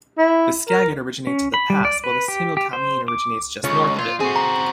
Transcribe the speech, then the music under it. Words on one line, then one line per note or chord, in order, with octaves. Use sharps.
The Skagit originates at the pass while the Similkameen originates just north of it.
E4
A#4
C#4
B5
G3
D5
B4
G4
G4
C5
D6
C#2 F4 C#5
A#2 F4
C4 F#4 G#4
A#5